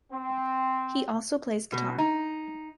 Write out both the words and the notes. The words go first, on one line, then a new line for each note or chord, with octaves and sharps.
He also plays guitar.
C4
B2
D#4